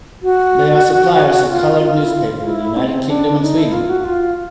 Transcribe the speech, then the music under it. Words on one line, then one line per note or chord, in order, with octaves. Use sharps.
They are suppliers of colored newspaper in the United Kingdom and Sweden.
F#4
F4
E4
F4
E4
C4
D4
D#4
E4
F4
F#4
F4